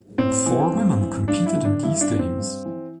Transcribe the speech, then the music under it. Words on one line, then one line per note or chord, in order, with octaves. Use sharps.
Four women competed in these games.
A2 C4
E3
G2
E3
G2 D4
E4
D3
D4
G2 E4
D4
E3
C4
G2
E3